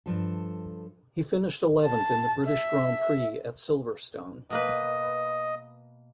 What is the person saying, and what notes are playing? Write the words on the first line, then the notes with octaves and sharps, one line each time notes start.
He finished eleventh in the British Grand Prix at Silverstone.
G2 F3 A4
A5
E5
B2 A#3 B4 D#5